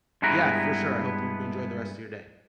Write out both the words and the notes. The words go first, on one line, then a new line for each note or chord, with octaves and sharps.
Yeah, for sure. I hope you enjoy the rest of your day.
G2 G#3 B3 E4 B4 A#5